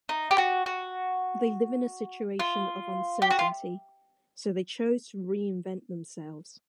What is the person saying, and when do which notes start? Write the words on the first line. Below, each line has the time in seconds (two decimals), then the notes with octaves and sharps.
They live in a situation of uncertainty so they chose to reinvent themselves.
0.09 D#4
0.31 G4
0.38 F#4
0.66 F#4
2.40 F4
3.22 G4
3.31 F#4
3.39 F4